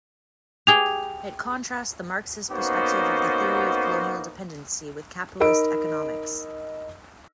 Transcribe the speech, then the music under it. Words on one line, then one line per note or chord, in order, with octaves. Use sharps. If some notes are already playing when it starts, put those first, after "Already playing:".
It contrasts the Marxist perspective of the Theory of Colonial Dependency with capitalist economics.
G4 G#4 G5 F7
A#3 B3 C#4 D#4 F#4 C5
D#4 A#4 D#5 B5 E6 D7